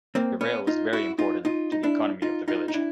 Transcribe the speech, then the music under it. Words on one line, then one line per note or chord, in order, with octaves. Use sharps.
The rail was very important to the economy of the village.
A#3 C4
B3 C#4
D#4 F4
E4 F#4
D#4 F4
D#4 F4
D#4
D4 E4
D#4 F4
D#4 F4
D#4
D4 E4